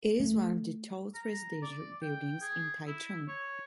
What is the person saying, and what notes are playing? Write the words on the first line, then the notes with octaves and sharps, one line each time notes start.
It is one of the tallest residential buildings in Taichung.
A3
A#5
D5
G5
G#4
E4
C#5